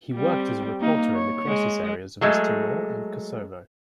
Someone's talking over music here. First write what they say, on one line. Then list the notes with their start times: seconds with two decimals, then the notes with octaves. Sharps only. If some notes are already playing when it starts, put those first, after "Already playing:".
He worked as a reporter in the crisis areas of East Timor and Kosovo.
0.15 G3 C4
0.80 A#3 D#4
1.15 C#5
1.47 G#3
2.21 F#3 G#3 A3